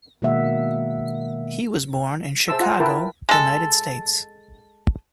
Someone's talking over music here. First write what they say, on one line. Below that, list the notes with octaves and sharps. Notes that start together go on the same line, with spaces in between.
He was born in Chicago, United States.
B2 D#3 G#3 A#3 E5 F#5
G#4 C5 E5 A5 C6 E6
F4 F#5 A#5
E4 A#4 B4 G5 A5
G#3 A4